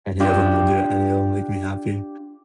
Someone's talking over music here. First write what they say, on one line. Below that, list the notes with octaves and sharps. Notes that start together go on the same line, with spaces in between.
Any of them will do it, any of them make me happy.
D4 F4 G4